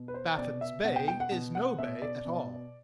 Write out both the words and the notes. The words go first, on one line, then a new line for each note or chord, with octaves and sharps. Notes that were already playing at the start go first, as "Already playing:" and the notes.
Baffin's Bay is no bay at all.
Already playing: B2
B4
C5
B2 D5
E5
B2 F#5
G5
G5
F#5
B2
F#5
B2 E5
D5
B2